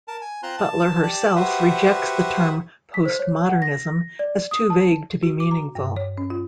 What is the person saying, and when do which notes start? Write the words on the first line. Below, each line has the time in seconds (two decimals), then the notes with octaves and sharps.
Butler herself rejects the term "postmodernism" as too vague to be meaningful.
0.08 A#4 A5
0.21 G#5
0.43 C4 F4 C5 A#5 C6 F#6
0.58 A5
1.03 G4 D5 A5
1.36 F#4 G4 B4 C5 E5 F#5
2.94 B6
3.06 C5
3.19 C#5
3.46 F#5
3.62 A#6
4.19 D5
4.51 D#6
4.70 A5
5.23 F#4
5.40 D6
5.51 A#5
5.75 G2
5.96 C#5
6.18 C#4
6.30 F4